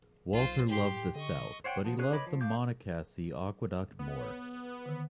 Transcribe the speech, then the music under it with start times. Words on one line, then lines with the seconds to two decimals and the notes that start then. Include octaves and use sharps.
Walter loved the South, but he loved the Monocacy Aqueduct more.
0.33 B1 F4 C5
0.69 A2 G4 C6
1.16 D3 D#5 C#6
1.64 C5 C#5 F#5 G5
1.84 F3 B3
1.99 C#4 G#4 B4 F#6
2.12 B4 C#5 D#5 B5 D6
2.27 F3
2.41 A3 F5 D6 G6
3.99 B3
4.20 C#5
4.86 D3 D#3